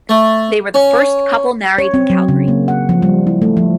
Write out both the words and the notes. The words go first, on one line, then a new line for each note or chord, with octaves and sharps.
They were the first couple married in Calgary.
A3
C#4
C#5
C4
F#3
C#3
A#3
F#5
F3
G3
E4
A3
F3